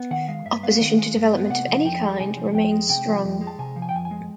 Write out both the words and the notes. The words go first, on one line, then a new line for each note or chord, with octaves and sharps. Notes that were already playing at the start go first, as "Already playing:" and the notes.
Opposition to development of any kind remains strong.
Already playing: B3
D#3 F#5
G#3 F5
G2 E5
B3 F5
D#3
G#3
G2
B3
C3 F#5
F3
F2 G5
G#3
C3 G#5
F3
F2 G5
G#3
C3 G5
F3
F2
G#3
A5
C3 G#5
F3
G#5
G5
F2 G#5
G#5
G#3